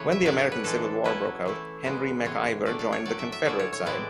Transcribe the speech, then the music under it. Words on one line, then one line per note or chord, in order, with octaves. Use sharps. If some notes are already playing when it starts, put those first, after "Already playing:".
When the American Civil War broke out, Henry McIver joined the Confederate side.
Already playing: C#3 E3 A3 B4 C#5
E5
A2 F#3 B3 D4 D5
C#5
B4
E3 G#3 D4 A4
F#3 C#4 E4 B4
E3 A3 E4
C#3 G#3 B3
A2 E3 G#3 C#5
A2 F#3 A3 D4 D5
D5
C#5
A2 F#3 A3 D5
E5
E5
D3 A3 C#4 E4 D5
C#5
C#5
A2 E3 G#3 B3 E4 D5